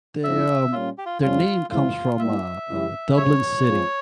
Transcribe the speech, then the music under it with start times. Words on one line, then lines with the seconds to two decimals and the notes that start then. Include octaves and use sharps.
they, um their name comes from, uh uh, Dublin City,
0.24 G#2 F3 C4 E4 E5
0.72 A#2 G3 A#3 C#4 F4
0.98 G4
1.06 F4
1.22 F2 C#3 G3 F4
1.70 E2 C3 F3 G#3 E4 F4
2.19 G3 A#3 E4 E5
2.68 C#3 E3 G#3 E4 G4
3.17 C#3 G3 C4 C#5
3.66 F3 G#3 C4 F4 G#4